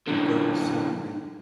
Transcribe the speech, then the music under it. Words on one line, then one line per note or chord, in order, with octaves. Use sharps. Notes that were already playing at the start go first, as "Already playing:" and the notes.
is very simply,
F#2 D3